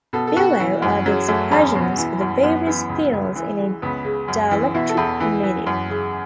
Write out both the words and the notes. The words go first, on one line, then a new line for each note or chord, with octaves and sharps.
Below are the expressions for the various fields in a dielectric medium.
B2 A4
A4
B2 F#4
E3
F#2
C#3 F#3
F#2 A3
E2 C#4
B2
E3
F#2
F#2 B3
E3 B3
C#2
C#2
E3
C#3
C#2 B3
C#3
F#2
E3
B2 E4
A4
E2
E3
E3
F#2
C#3